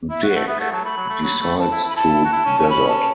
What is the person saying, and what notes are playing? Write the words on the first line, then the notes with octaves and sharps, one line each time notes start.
Dick decides to desert.
E4 E5
F#4
F#5
A3
B3 E5
A3 F#5
F#3 A5
A3 B5
F#3
A3
F#3
A3
A5
E4
E4
B5
E4 A5
F#4
E4
C#4
C#4
B5
A5